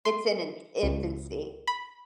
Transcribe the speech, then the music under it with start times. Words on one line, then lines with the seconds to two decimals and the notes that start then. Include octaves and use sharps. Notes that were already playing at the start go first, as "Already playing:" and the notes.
it's in an infancy.
0.05 C6
0.83 C#2
1.67 B5